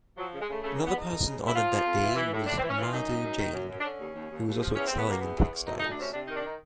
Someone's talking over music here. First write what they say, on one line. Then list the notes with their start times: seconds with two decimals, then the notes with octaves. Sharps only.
Another person honoured that day was Madhu Jain who was also excelling in textiles.
0.17 F3 F#3
0.33 C#3
0.40 G#3
0.49 C#3 A3
0.63 C#3 A3
0.74 A#3
0.78 E2
0.86 B3
0.94 E2 D#4
1.09 F2
1.24 C#3
1.40 C#3
1.47 E4
1.55 F3 F4
1.70 F3
1.85 F2
2.01 E3
2.15 E3
2.32 A2
2.46 A2 D4
2.58 C4
2.62 E3
2.70 C#4
2.77 E3 F4
2.92 F#2 D#4
3.08 F#2
3.23 F#2
3.38 D#3
3.54 F#2
3.69 F#2
3.80 D4
3.84 D3 C#4
3.99 D#2
4.14 D#2
4.29 D#2
4.46 D#2
4.60 F3
4.76 E2 C#4
4.87 E2 C4
4.98 B3
5.05 B2
5.10 A#3
5.21 E2 B3
5.36 E2
5.52 E2
5.67 D2 D#4
5.79 D#4
5.83 D2
5.90 D4
5.97 C3 C#4
6.13 C3 D4
6.25 D#4
6.28 D#3
6.36 D4
6.47 D#4